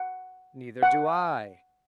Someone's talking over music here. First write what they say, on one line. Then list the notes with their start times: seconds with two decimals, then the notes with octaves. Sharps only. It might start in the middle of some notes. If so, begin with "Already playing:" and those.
"Neither do I."
Already playing: F#5
0.83 F#5